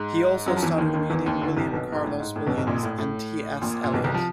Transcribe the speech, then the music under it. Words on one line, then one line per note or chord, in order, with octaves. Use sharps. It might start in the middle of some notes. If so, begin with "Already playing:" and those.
He also started reading William Carlos Williams and T. S. Eliot.
Already playing: G#2 G#3
F#2 F#3
F3
E2 E3
D#2 D#3
D#2 D#3
E2 E3
D#2 D#3
D2 D3
C2 C3
B1 B2
G#2
A2
G#2
A2
B1 B2
B1 B2
A#1 A#2
A2
A2
A#1 A#2
A#2
B1 B2
C2 C3
F3